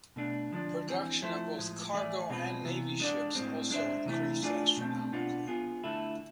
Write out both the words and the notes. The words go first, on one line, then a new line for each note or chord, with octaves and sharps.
Production of both cargo and Navy ships also increased astronomically.
B2 A3 D4
D3 F3 G#3 D4
E3 G#3 C4 G#4
F3 A3 E4 A4 C5
A2 F3 G#3
E3 A3 E4 G#4 D5
B2 G#3 C4 F4 B4
C3 E3 B3
G#3 D4 A4 D5
A2 G#3 C4
G#3 D4 A4 C5 E5
C3 E3 A3 E4
A3 D4 F4 G#4 D5
B2 A3 C4
B2 B3 D4 F4
B3 F4 G#4
D3 A3 E4 A4